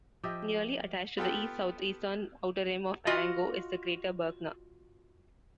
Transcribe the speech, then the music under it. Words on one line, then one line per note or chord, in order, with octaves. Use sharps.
Nearly attached to the east-southeastern outer rim of Parengo is the crater Berkner.
F3 G4 D#5 E5
B3 F4 G4 A4
F4 F#4 D#5